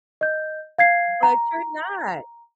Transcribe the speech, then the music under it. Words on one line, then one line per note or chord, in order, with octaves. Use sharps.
But you're not.
D#5 G6
F5 G#6 C7
A#5